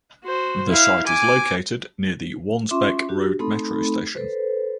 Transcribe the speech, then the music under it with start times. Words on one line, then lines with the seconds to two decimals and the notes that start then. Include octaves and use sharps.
The site is located near the Wansbeck Road Metro station.
0.24 F#4 C5
0.68 E4 F5
1.07 G#5 D6
2.71 C#4 F4 E5 C6 D6
3.08 D4 F#4 G4
3.40 A3 C4 D#4 A4 B5
4.15 A4 B4 C5